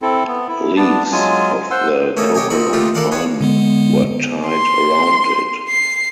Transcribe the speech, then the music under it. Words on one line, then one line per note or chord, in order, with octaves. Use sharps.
Leaves of the coconut palm were tied around it.
C4 E4 A4
B3
E4
B3 D4 A5
F#3 G#3 F4 G#5
C5 F#5 C6 E6
A3 A#3 C#4 A4 D#5
G4 C#5 D#5 G#5 A#5
A#2 C4 D#5 B5 C#6
D3 A3 D#4 F4 G4
A4 A#4 D5 F5 F#5 A5
B3 B4 C#5 F5
D3 G#3 B3
C6
C7